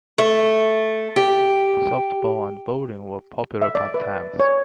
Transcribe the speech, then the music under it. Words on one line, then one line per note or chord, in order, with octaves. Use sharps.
Softball and bowling were popular pastimes.
A3
G4
E5
D5
B4
C#5